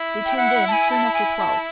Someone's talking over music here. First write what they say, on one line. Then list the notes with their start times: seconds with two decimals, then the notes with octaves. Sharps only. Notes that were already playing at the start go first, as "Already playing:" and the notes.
They turned in soon after twelve.
Already playing: E4
0.26 G5
0.37 F#5
0.68 A5
0.73 G#5
0.91 A5
1.14 G#5
1.37 A5